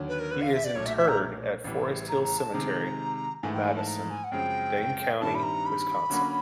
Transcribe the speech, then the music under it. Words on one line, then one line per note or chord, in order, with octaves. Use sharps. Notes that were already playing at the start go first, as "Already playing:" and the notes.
He is interred at Forest Hill Cemetery, Madison, Dane County, Wisconsin.
Already playing: D#2 D3 F#3
B4
A#4
B4
F5
E5
D5
B1 A#2 F#3 A3 C#5
E5
E5
A#5
A1 A2 E3 G3
A#5
A#5
A5
C3 D#3 G#3 A#5
G#2 E3 A3 G#5
G5
G#5
A5
A#5
G#5
F#5
F#2 C#3 F3 G#3 C4 G5
G2 D#3 G3 C4 E4 A5
B5
A#5
B5
D3 F#3 A#3 C#4 F#4